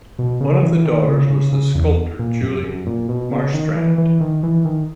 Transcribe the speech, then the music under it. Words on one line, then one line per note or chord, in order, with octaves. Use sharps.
One of the daughters was the sculptor Julie Marstrand.
B2
C#3
E3
D#3
C#3
C#3
C#3
E2
A#2
F#2
F#2
A#2
B2
C#3
D#3
E3
E3
D#3
E3
D#3